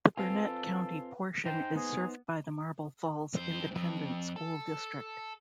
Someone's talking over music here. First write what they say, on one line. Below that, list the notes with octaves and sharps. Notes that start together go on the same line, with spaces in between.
The Burnet County portion is served by the Marble Falls Independent School District.
C4 F4 A4 B4 G#5
D#4 C5 G5
B3 G#4
F2 C5
F2 G#2
A4